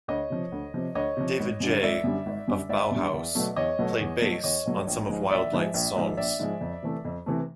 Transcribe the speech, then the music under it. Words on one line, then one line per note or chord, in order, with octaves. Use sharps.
David J. of Bauhaus played bass on some of Wild Light's songs.
D2 C#5 D#5
C3 F3
D2
C3 F3
D2 C#5 D#5
C3 F3
G#1
F#2 D3 G3
G#1 D5 E5
F#2 D3 G3
G#1
F#2 D3 G3
G#1 D5 E5
F#2 D3 G3
E2
B2 F#3 A3
E2 C#5 D#5
B2 F#3 A3
E2
B2 F#3 A3
E2 C#5 D#5
B2 F#3 A3
A#1
G#2 F3 G#3
A#1 D5 E5
G#2 F3 G#3
A#1
G#2 F3 G#3
A#1 D5 E5
G#2 F3 G#3
F2
C3 E3 A3
F2
C3 E3 A3